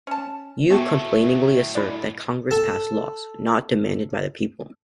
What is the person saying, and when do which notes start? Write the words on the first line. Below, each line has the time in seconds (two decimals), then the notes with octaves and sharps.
You complainingly assert that Congress passed laws not demanded by the people.
0.07 C#4 A5
0.70 A2 F#3 A3 B3 C4 F#4
1.75 G#3 E4 D5
2.51 A4 A5